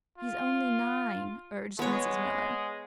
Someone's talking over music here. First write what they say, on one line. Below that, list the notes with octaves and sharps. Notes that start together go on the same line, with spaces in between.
"He's only nine," urged Mrs. Miller.
F4
G#3 B3 C#5